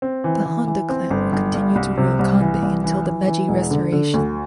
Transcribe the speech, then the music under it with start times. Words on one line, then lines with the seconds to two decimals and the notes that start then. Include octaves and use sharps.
The Honda clan would continue to rule Kanbe until the Meiji restoration.
0.02 C4
0.24 E3
0.46 E3
0.67 E3
0.89 C4
1.10 G1
1.32 G1
1.54 G2
1.76 C2
1.98 C3
2.19 C2
2.41 E3
2.63 C2
2.84 E3
3.06 E3
3.27 E3
3.49 E1
3.71 D3
3.92 D3
4.14 D2